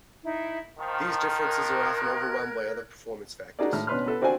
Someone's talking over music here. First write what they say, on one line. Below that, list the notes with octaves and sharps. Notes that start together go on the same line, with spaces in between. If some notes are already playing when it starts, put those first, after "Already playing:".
These differences are often overwhelmed by other performance factors.
D#4 E4
D#3 F3 C5
A#4 F#6 G#6
D4 D#4 F#4 G#4 A#4 D5
A2 F6
B2 C#4 D4 B4 C6 F6
B3 A4 B4
C4 D4 F#4 C5 D5 G#5